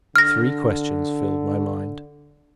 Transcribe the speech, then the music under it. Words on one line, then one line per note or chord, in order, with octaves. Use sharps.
Three questions filled my mind.
D3 F6 A#6